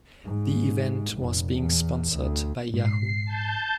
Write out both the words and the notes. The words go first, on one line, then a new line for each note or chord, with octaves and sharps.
The event was being sponsored by Yahoo!
G#2
F1
E2
D2
G#2 C7
A5 G6